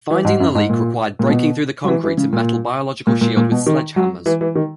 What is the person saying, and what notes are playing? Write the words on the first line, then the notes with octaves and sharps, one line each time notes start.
Finding the leak required breaking through the concrete and metal biological shield with sledgehammers.
E3
G#2
F#2
G#2
A#2
A#2
B2
F#3
E3
E3
C#3
A#2
A#2
A#2
A#2
B2
D#3
F#3
E3
E3
D#3